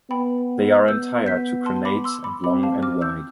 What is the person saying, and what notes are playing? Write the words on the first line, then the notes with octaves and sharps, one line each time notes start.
They are entire to crenate and long and wide.
B3 G5 B5
B3 E6 G6
G6 B6
A5 C6
B5 D6
C6 E6
B5 D6
C4 B5 D6
F5 A5
D6 F6
E6 G6